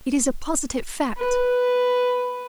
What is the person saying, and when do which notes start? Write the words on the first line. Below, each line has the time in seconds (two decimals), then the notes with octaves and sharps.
It is a positive fact!
1.18 B4